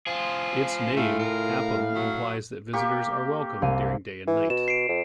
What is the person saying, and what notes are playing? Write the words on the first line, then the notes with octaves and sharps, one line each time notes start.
Its name 'apm' implies that visitors are welcome during day and night.
F3 F4 G#4
A2 A3 F5
A#4
F#3
A#3 G4 C#6
C2 F5 D#7
E3
B2 E7
C7 D7
F2